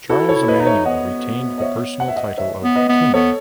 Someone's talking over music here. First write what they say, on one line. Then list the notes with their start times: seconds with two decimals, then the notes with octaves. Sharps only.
Charles Emmanuel retained the personal title of King.
0.09 E4 F#4 A4
0.29 A4 C#5
0.35 E4
0.48 B4 D#5
0.58 D#4 D#5
0.67 C#5 E5
0.85 B3 D#5 F#5
1.58 D#5
1.62 C#5 E5
2.00 F#5
2.08 E5
2.16 D#5 F#5
2.38 C#5 E5
2.64 B3
2.76 B4 D#5
2.89 B3
3.14 B3 A4 C#5